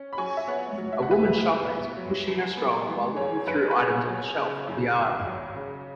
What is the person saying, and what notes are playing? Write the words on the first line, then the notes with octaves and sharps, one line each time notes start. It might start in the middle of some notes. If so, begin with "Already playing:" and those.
A woman shopper is pushing her stroller while looking through items on the shelf of the aisle.
Already playing: C#4
B5
F#3 G#5 C#6
E5
B3 C#5 F#5
F#3
E5
F#5
C#3 B4 E5
C#2
B3
F#3
F#2
B3
E3
F#2 G#4 C#5
F#2 B4
B4
B3 G#4
F#3
C#3
F#2
G#1
F#3
C#3